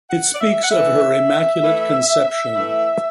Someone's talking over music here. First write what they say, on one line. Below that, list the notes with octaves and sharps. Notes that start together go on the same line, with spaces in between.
It speaks of her immaculate conception.
F#5
D5
E5
F#5
E3 A3 E4 E5
E3 A3 E4
E3 A3 E4